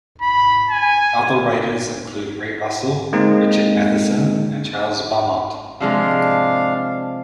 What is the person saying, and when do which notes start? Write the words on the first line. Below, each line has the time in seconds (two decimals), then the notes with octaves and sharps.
Other writers included Ray Russell, Richard Matheson and Charles Beaumont.
0.21 B5
0.70 G#5
3.13 G#3 A#3 C4 D#4
5.80 C3 F3 G#3 D4 F5